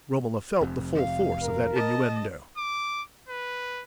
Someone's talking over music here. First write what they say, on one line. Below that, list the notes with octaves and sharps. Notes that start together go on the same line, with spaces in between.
Romola felt the full force of that innuendo.
F1 F2 C3
F5
A#4
D#5 A5
D6
B4